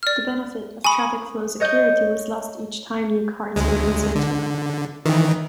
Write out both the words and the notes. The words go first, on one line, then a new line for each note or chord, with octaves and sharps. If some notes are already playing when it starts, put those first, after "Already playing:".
The benefit of traffic-flow security was lost each time new cards were inserted.
D5 F6
G#5 B5 C#6 D#6
C#5 D#5 G6
D2 G#3
D3
D#3 E3